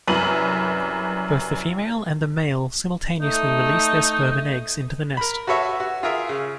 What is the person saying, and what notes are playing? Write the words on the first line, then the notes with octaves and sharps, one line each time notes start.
Both the female and male simultaneously release their sperm and eggs into the nest.
C2 F#2 B4 A6 D#7 F#7
A3 D#4
A#4 B5
F#4 A4 B4 C#5 E5
F#4
F4 G#4 A#4 E5
C#3